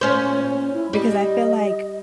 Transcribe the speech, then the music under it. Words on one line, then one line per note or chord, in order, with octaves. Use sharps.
because I feel like
A#2 C#4 C5 C#5
E4
G3 D#5